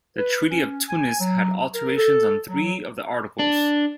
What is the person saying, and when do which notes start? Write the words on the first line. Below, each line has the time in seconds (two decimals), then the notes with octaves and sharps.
The Treaty of Tunis had alterations on three of the articles.
0.17 B4
0.50 C#4
0.88 G#5
1.19 F#3
1.74 A#4
1.96 A4
2.47 F#3
3.39 D4